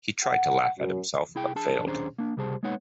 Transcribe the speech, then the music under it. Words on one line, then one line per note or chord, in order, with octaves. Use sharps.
He tried to laugh at himself but failed.
F#5
F#2
C2 E4 G#4 G5
D4 G#4 A5
D#2 C#4 D4 G#4 C5 A#5
A#3 D4
C#2 C3 G3 G#4 C5 A5
G#3 A#3 B3 D#4 C#5 F#5